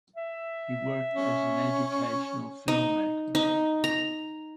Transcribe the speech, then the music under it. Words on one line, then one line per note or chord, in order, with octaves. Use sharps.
He worked as an educational filmmaker.
E5
C#4
D#4
D#4
A#5